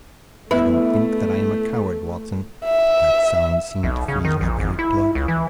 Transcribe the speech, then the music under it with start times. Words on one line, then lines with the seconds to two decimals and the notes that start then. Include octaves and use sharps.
I don't think that I am a coward, Watson, but that sound seemed to freeze my very blood.
0.51 A3 B3 E4 B4
2.65 E5
3.83 B1
4.08 C#3
4.25 D#3
4.41 A#1
4.60 G#1
4.79 E4
5.15 C#2
5.28 E3